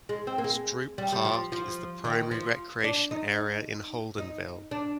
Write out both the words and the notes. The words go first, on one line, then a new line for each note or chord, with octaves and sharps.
Stroup Park is the primary recreation area in Holdenville.
G#3
C4
A#3
G#3
G3
G3
F3
F3
D#3
F3
D4
D#4
D#4
D4